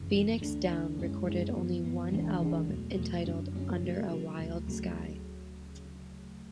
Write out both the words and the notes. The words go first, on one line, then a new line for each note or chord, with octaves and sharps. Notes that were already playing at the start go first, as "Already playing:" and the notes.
Phoenix Down recorded only one album, entitled "Under A Wild Sky".
Already playing: G#1 F#2 C#3 E3
G#1 F#2 C#3 E3
D2 D3 A3 D4
D2 D3 A3 D4
F#2 D3 G#3 C#4 E4
F#2 D3 G#3 C#4 E4
F#2 E3 B3
F#2 E3 B3
C#2 C#3 E3 G#3 D4
C#2 C#3 E3 G#3 D4
E2 B2 F#3 A3
E2 B2 F#3 A3
F#2 D3 F#3 C#4
F#2 D3 F#3 C#4
C#3 F#3 A3
C#3 F#3 A3
D2 C#3 F#3 A3
D2 C#3 F#3 A3